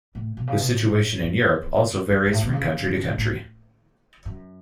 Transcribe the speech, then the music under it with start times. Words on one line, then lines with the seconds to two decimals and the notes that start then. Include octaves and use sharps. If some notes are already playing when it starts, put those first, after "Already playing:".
The situation in Europe also varies from country to country.
0.15 A2
0.37 B2
0.47 C#3
0.58 B2
0.69 A2
1.23 E2
2.09 F#2
2.26 G2
2.32 A2
2.43 B2
2.53 C#3
2.96 C#3
3.07 A2
3.18 A2
4.25 F#2